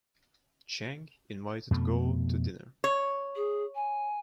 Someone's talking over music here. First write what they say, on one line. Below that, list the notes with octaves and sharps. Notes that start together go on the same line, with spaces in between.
Cheng invited Guo to dinner.
F2 B2 A3
C#5
G#4
G#5